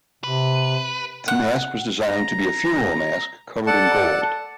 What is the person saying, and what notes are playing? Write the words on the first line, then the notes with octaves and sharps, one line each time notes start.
The mask was designed to be a funeral mask covered in gold.
C3 B4
F#5
A#5
A4 D5 F#5 A5